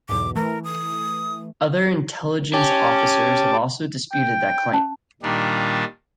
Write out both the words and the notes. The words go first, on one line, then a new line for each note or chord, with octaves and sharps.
Other intelligence officers have also disputed that claim.
B1 E2 G#2 D6
E3 A3 A#4
D#6
C#4 G4 A5 D6
G5
C#4 A5
A#2 D#3 G3 D4